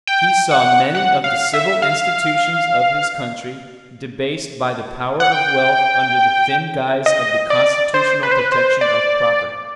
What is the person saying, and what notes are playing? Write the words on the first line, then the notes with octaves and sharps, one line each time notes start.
He saw many of the civil institutions of his country debased by the power of wealth under the thin guise of the constitutional protection of property.
G5
F#5
F#5
F5
E5
F5
F#5
G5
D#5
D5
C5
B4
C5
B4
C5
D5